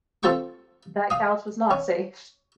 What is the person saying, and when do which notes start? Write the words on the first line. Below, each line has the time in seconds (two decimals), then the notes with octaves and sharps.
That couch was not safe.
0.23 C4 F4 A4 G5 C#6 D6
1.10 F5 D#6
1.71 C#4